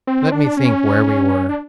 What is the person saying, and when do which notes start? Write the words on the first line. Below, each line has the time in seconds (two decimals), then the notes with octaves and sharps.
LET me think where we were.
0.07 C4
0.32 D4
0.57 C#4
1.49 D4